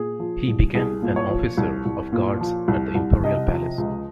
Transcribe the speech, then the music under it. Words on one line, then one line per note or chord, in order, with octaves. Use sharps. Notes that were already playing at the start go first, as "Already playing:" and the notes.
He became an officer of guards at the Imperial palace.
Already playing: A#2 G#4
F3
C2
C2 G#4
A#2
C#5
F3
C2
C2
A#2
F3
C2
C2
C3 D#5
F3
C#2